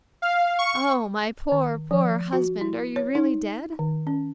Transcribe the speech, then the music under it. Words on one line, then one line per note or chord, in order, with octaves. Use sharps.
'Oh, my poor, poor husband, are you really dead?
F5
C#6
D#3
F3
F#4
E4
C#5
D#4
D#3
C#4